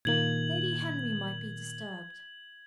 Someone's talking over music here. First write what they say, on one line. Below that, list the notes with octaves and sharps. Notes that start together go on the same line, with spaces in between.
"Lady Henry might be disturbed."
A#2 D#3 A#3 G#6 F#7